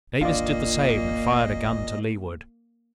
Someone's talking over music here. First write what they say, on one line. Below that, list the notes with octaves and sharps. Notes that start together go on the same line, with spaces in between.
Davis did the same, and fired a gun to leeward.
D#1 G#1 A#2 A#3 D4 F4 D5 D#5